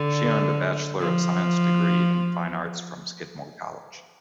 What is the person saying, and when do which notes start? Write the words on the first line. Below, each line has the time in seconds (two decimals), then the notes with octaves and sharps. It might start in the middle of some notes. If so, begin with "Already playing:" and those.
She earned a Bachelor of Science degree in Fine Arts from Skidmore College.
Already playing: D3
1.00 F3